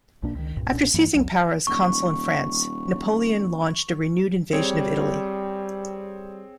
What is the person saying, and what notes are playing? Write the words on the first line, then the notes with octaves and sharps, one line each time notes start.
After seizing power as consul in France, Napoleon launched a renewed invasion of Italy.
B1 B2 A#3 D4
C#2 D#3
C2 G2 A#2
B1 A#2 C#4 D4
G2 E3 A#3
B1 E2 F#3
D#1 C#6
G3 C4 G#4 C#5